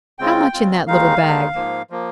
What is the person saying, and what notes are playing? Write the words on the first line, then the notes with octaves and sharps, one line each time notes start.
"How much in that little bag?"
C#3 G#3 C4 F4 G5
C#3 G#3 C4 F4
D#2 D#3 G#3 D#4 F5
D#2 D#3 G#3 D#4
G#2 F3 A#3
F3 A#3